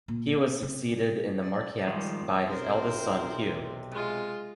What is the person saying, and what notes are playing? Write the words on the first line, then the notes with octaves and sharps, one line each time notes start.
He was succeeded in the marquessate by his eldest son, Hugh.
A#2
B3
C3
D5
D#3 F3 G3 G#3
B1 C3 A#4 C5
G#3 F4